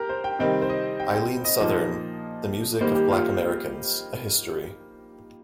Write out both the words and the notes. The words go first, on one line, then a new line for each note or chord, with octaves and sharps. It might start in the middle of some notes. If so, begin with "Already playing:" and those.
Eileen Southern, "The Music of Black Americans: A History".
Already playing: G4 A#4
C5
G5
C3 D#3 G3 C4 D#4 G5
C5
D#5
G5
G5
D#5
A#2 F3 A#3 D#4
D#3 G3 A#3 D#4 C5
G4
F4